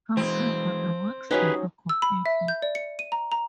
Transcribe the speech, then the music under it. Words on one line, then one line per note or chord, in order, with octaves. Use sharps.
However, the works differ completely.
E3 G#3 C4
F#3 C#4 D#4 E4 G4 G#4 B4
E6
B5
E5
G6
D5
C#7
D#7
A#5
A#5